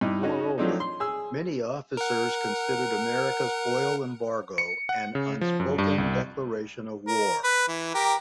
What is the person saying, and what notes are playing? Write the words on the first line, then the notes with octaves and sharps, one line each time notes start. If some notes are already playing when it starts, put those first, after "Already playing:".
Moreover, many officers considered America's oil embargo an unspoken declaration of war.
G2 D#4 E4
C#4 D#4 F#4
F3 F#3 A3 C4 D4 D#4
C6
G#4 E6
A#4 F#5
C#7
F#5
C#3
F3
F#2
G2
C2
A#4
B4
E3
G4 A#4